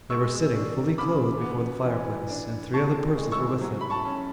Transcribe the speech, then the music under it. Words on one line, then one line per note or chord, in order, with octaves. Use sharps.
They were sitting fully clothed before the fireplace, and three other persons were with them.
G#3 C#6 E6
D4
C#3 B5 D6
B3
E3
D4
A2 A5 C#6
G#3
C#6 E6
F#3
B5
A5 C#6
C#4